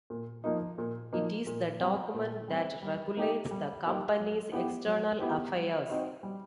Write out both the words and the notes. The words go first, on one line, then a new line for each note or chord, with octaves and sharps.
It is the document that regulates the company's external affairs.
A#2
F3 A#3 D#4
A#2
F3 A#3 D#4
A#2
G3 C4
A#2
G3 C4
G3
A#3 D#4 G4
G3
A#3 D#4 G4
F#3
B3 E4 G4
F#3
B3 E4 G4
G3
C4 D#4 F#4
G3